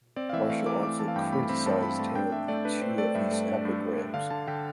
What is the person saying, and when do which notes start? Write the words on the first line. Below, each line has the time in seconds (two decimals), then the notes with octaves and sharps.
Marcial also criticized him in two of his epigrams.
0.16 C4 D5
0.29 F5
0.33 E3 E5
0.50 A3 F5
0.66 E3 D6
0.83 A3 D6
0.99 E3 A5
1.08 F5
1.16 G2 G5
1.33 A3 B5
1.49 C4 B5
1.66 G2 A5
1.83 C4 B5
1.99 A3 A5
2.15 D4 G5
2.32 D4 E5
2.48 A3 D5
2.65 D4 B4
2.81 D4 C5
2.98 A3 D5
3.15 G2 E5
3.31 A3
3.48 D4
3.65 G2
3.81 G2
3.98 D4
4.14 D3 F5
4.30 D3 A5
4.47 D3 G5